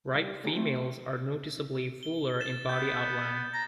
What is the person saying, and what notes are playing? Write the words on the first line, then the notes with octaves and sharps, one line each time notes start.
Ripe females are noticeably fuller in body outline.
G3 G4
D3 B3 D#4 G4 G#5 A#5
A3 C4
G7
A6 E7
B3 G6
A#5 A6